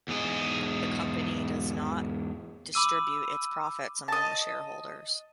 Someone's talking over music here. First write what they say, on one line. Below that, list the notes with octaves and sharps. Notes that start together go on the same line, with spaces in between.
The company does not distribute its profits among the shareholders.
E2 G#2 G#4 D#5
B5 D6 E6 D#7
D#5 A5